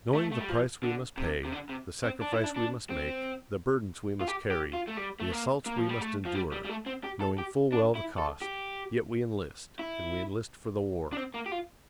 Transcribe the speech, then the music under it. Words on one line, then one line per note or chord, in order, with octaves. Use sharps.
Knowing the price we must pay, the sacrifice we must make, the burdens we must carry, the assaults we must endure--knowing full well the cost--yet we enlist, and we enlist for the war.
A3
A3
G3
F3
D3
C3
C3
D3
C3
C4
D4
E4
D4
D4
C4
F4
G4
G4
F4
A3
G3
A3
A#3
A#3
F3
G3
A3
F3
G3
G3
G3
A3
C4
G4
A4
G4
D4
E4
A4
G4
E4
D4
C4
A#3
G4
F4